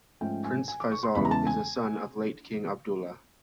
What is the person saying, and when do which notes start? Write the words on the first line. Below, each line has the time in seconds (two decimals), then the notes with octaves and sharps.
Prince Faisal is a son of late King Abdullah.
0.21 G#2 F3 A3 C#4 G5
0.44 G#5
0.68 G#5
0.80 D6
0.92 C#6
1.03 C6
1.15 E2 C#3 E3 G#3 B5
1.25 A#5
1.31 A5
1.47 G#5